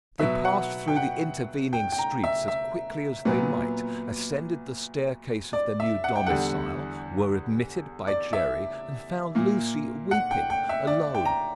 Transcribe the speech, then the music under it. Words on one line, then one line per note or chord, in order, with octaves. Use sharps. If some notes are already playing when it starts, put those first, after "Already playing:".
They passed through the intervening streets as quickly as they might, ascended the staircase of the new domicile, were admitted by Jerry, and found Lucie weeping, alone.
B2 F#3 B3 E5
F#5
G5
F#5
G5
G5
A#5
E5
E5
A#2 F#3 B3
D5
E5
F#5
G5
E2 D3 G3 F#5
D5
E5
A#2 A#3
F#5
G5
G5
E5
D5
G5
A#5